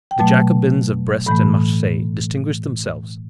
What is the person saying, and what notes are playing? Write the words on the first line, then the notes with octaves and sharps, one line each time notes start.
The Jacobins of Brest and Marseilles distinguished themselves.
G5
B2 F#3 A3 A5
A2 E3 A3 B5